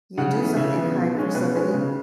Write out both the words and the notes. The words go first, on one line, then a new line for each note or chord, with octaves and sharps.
you do something kind for somebody
C#3 F#5
E3 B3
C#3 E5
E3
B3
B2
G#3 C#4
B2 B4
G#3 C#4
C#3